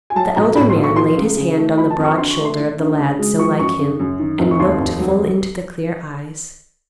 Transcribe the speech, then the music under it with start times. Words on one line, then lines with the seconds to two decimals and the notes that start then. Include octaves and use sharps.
The elder man laid his hand on the broad shoulder of the lad so like him, and looked full into the clear eyes.
0.10 G#5
0.16 F#3 A5
0.36 B1 A#5
0.56 A2 B5
0.70 C6
0.76 B1
0.84 C#6
0.96 F3 C6
1.17 C#2
1.37 C#3
1.57 A3
1.77 F3 B5
1.90 A5
1.98 F2
2.04 C#6
2.17 D3 C6
2.31 C#6
2.38 A3
2.45 C6
2.58 E3
2.79 D2
2.98 C#3
3.19 G#3
3.38 F3 C#6
3.59 F#2 C#6
3.79 C#3
3.99 F#2
4.19 D#3
4.39 F1
4.51 C#6
4.59 D#2 C6
4.80 F1
5.00 F#3